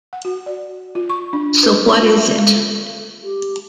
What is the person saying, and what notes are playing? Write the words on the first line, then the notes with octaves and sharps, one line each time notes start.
So what is it?
F#5
F#4
D5
F4
C#6
D4
B4
F4
E5
G#3
A4
G4